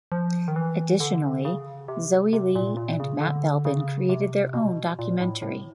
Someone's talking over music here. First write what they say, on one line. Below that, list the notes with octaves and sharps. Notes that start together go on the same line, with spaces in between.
Additionally Zoey Lee and Matt Belbin created their own documentary.
F3
D#3
E3
D3
C#3
C3
C3
A#2
A#2
C#3
D3
C#3
C3
B2
A#2
A2
A2